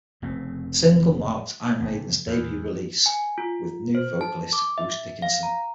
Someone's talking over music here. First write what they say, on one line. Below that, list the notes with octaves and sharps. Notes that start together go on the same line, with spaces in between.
The single marked Iron Maiden's debut release with new vocalist Bruce Dickinson.
F1 C#3 A3 C4
G1 D#2 C#3 B3
E2
G#5
F4
C5
A5
D6
E5
F5
A#5